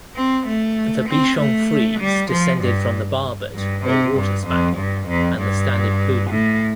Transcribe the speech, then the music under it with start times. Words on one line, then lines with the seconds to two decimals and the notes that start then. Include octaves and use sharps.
The Bichon Frise descended from the Barbet or Water Spaniel and the Standard Poodle.
0.16 C4
0.47 A3
1.09 C4
1.38 A3
2.00 G3
2.30 F3
2.61 G2
3.55 G2
3.85 C3
4.16 G2
4.47 F2
4.77 G2
5.08 F2
5.38 G2
6.30 A2